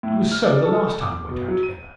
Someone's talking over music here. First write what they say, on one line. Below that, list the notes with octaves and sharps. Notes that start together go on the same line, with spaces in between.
It was so the last time we went out together.
A2
F6
D5
A4
D6
B2
F#3
D#7